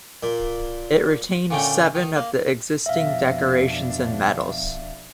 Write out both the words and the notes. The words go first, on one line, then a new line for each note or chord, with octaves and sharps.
It retained seven of the existing decorations and medals.
A#2
A#2 D3 A3 C#4 G5
D#3
A#3
F2 B2 D4 E5 F5